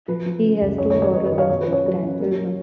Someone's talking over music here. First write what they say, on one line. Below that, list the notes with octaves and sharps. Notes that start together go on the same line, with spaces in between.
He has two daughters and four grandchildren.
F3 B4
F3
C#3
C#2
F#2 C#5
C#5
D#3
C#5
F#2 B4 D#5
B4 D#5
D#3
C#5 F5
B2 C#5
B4
C#4
C#5
F#3
C#4
A#3
F#3